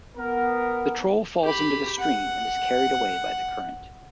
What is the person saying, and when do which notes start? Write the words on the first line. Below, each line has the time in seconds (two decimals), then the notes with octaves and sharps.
The troll falls into the stream and is carried away by the current.
0.17 B3 A#4
1.44 G4 B5
1.99 F#5